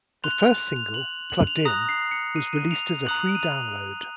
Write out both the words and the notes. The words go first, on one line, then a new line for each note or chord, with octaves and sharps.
The first single, "Plugged In", was released as a free download.
C6 F#6 F7
F7
F7
F#7
F#7
F7
A#5 D#6 F#6 A#6
C7
C#7
D#7
D#7
F7
F7
A#5 D#6 F#6 F#7
D#7
F7